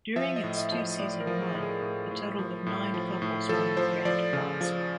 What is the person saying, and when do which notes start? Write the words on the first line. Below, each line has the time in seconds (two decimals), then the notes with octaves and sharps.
During its two-season run, a total of nine couples won the grand prize.
0.16 F3 E5
0.36 D#5
0.43 A2
0.58 D#5
0.72 F3
0.79 D#5
0.99 A2 D5
1.20 A#4
1.27 F3
1.41 G#4
1.55 A2
1.62 G#4
1.82 A2
2.11 A2
2.39 F3
2.66 A2
2.94 F3
3.22 A2
3.49 F3 A4
3.77 F3 C5
4.05 F3 D5
4.33 C#3
4.61 F3